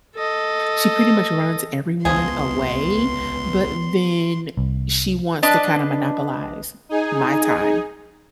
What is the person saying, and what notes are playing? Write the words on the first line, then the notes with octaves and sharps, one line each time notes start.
she pretty much runs everyone away, but then she wants to kinda monopolize my time,
A4 D#5
C#2 F3 B3 G#4 C6
C2
D4 B4 D#5 A5
D#4 G#4 G#5